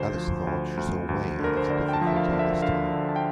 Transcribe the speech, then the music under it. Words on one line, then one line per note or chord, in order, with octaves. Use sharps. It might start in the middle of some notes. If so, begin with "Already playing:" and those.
Alice thought she saw a way out of the difficulty this time.
Already playing: D2 C5
F3
D2
D2
D2
D3 A#4
C5
D2 D5
G5
A5
F3
E5
F5
D3
E5
D3 F5
D3
A5
G5